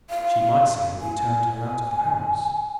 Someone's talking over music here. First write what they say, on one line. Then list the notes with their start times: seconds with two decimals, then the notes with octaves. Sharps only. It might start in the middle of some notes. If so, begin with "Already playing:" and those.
She might say that we turned her out of the house.
0.10 F5
1.00 G#5